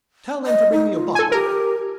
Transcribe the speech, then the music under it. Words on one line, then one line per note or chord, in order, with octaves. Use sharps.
Tell them to bring me a bottle.
D#5
D#4
F4
A4 G#5
G4 A#4